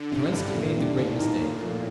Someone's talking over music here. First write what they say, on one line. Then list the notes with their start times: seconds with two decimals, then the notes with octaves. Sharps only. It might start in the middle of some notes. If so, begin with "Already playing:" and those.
Kerensky made the great mistake.
Already playing: D3
0.11 A1 C3
0.32 G2 D3 G3 D4
0.54 D2 A#2
0.76 C3 D#3 G3 D4
0.97 D#2 A2
1.18 D#3 A#3 D#4 A#4
1.40 A#2
1.62 F3 A3